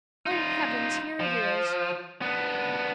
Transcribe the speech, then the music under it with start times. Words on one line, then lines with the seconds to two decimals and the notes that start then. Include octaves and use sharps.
"Oh, heavens, here it is!"
0.26 D#4 F4
1.20 F3
2.22 B3 D4